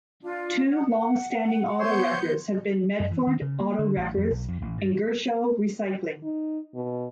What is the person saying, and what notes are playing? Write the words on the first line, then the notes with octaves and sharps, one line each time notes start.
Two long-standing auto wreckers have been Medford Auto Wreckers and Gershow Recycling.
D4 F4
F#5
B3 C5 C#5 C6 G6 C#7
F#2
E3
D#3
C#3
A#3
D3
A1
F2
B1
F2
A1
G2
D#4
B2